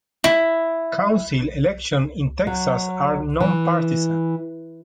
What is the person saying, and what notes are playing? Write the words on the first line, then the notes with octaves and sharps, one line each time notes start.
Council elections in Texas are nonpartisan.
E4
F#3
E3